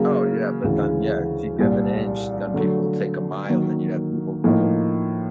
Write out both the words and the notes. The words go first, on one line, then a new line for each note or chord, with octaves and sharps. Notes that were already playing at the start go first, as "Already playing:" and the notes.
Oh, yeah, but then yeah, if you give an inch, then people take a mile, then you'd have people come and
Already playing: C#3 F#3 A#3
D2 C#3 E3 G#3
C2 A#2 G3
D3 F#3 A3
D#3 F#3 A#3
A2 F3 A#3 D#4